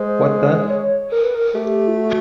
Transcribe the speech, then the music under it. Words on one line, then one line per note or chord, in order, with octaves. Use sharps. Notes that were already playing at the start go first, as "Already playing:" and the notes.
What the...?
Already playing: G#3 C5
C#5
A#4
B4
A#4
A3 G4
F4
F#4